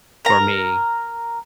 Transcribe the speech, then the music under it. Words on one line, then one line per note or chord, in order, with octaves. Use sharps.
for me,
A#4 A#5